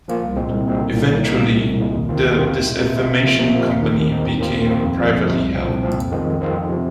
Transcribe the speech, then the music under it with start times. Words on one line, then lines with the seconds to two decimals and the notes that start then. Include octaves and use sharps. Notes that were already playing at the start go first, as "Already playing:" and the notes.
Eventually, the Disinformation Company became privately held.
0.08 F3 A#3 F4
0.23 C2
0.36 A#2 G#3 C4
0.51 C2
0.66 A#2 G#3 C4
0.80 C2
0.94 A#2 A#3 D#4
1.09 C2
1.23 A#2 A#3 D#4
1.37 C2
1.51 A#2 G#3
1.66 C2
1.80 A#2 G#3
1.95 D#2
2.09 D#3 C4 F4
2.24 D#2
2.38 D#3 C4 F4
2.52 C3
2.67 G#3 F4
2.81 C3
2.96 G#3 F4
3.10 C3
3.24 F3 A#3 F4
3.39 C3
3.53 F3 A#3 F4
3.68 D#2
3.82 D#3 C4 D#4
3.96 D#2
4.11 D#3 C4 D#4
4.25 D#2
4.39 D#3 C4 F4
4.54 D#2
4.67 D#3 C4 F4
4.83 F2
4.97 C3 F3 G#3
5.11 F2
5.26 C3 F3 G#3
5.40 C2
5.55 A#2 F3 C4
5.68 C2
5.83 A#2 F3 C4
5.98 F2
6.12 D#3 G#3 C4 F4
6.26 F2
6.40 D#3 G#3 C4 F4
6.55 F2
6.69 C3 F3